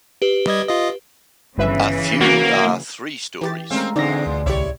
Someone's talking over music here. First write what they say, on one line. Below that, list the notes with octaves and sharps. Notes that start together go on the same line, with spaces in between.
A few are three stories.
G4 B4
G3 D#5 G#6
F4 D#5
G1 C#3 E3 B4 E5
A#3 F#4
E3 G4 A6
G#3 A3 C4 C#4 A#4 F5
E2 A#2 D3 G#3 C4 D#4 D5 A#6
D2
C2 A2 E4 G4 C#5 D5